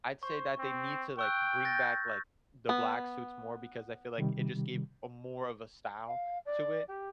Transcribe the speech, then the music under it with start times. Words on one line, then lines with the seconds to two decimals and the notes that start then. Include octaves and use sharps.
I'd say that they need to, like, bring back, like, the black suits more because I feel like it just gave a more of a style to it,
0.23 C5 C#6
0.59 C4
1.19 G5 C#6 E6 F#6
1.65 G6 A6 A#6
2.69 B3
4.18 C3 D#3 G3
6.05 F5
6.45 D5
6.87 G4